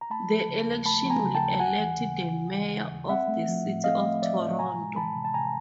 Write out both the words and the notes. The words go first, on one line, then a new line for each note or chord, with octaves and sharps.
The election will elect the mayor of the City of Toronto.
A#5
A3 A5 B5
F3
C#3
D#2
A3 A5 B5
F3
G#5 A#5
C#3
G5 A5
D#2
D#2 F#5 G#5
E3
C#3
D#2
D#2
E3
C#3
D#2
C4 E5 F#5
A3
F3
A2
C4 D#5 F5
A3
F3 D5 E5
A2
C3 G#5 A#5
G#3
E3 A5 B5
C3
A5
C3 G#5 A#5